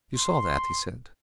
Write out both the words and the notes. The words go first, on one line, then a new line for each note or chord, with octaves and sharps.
"You saw that?" he said.
C6